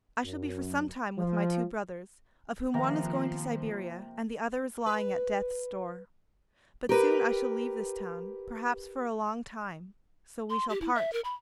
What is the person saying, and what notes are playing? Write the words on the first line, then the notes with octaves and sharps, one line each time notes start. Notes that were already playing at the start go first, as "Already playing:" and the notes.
I shall be for some time with my two brothers, of whom one is going to Siberia and the other is lying at death's door. But soon I shall leave this town, perhaps for a long time, so we shall part.
F#2
F3
C3 D#3 F3 A#3 A#5
B4
G4 A#4 B4
C6
G4
E4
E5
A#4
B5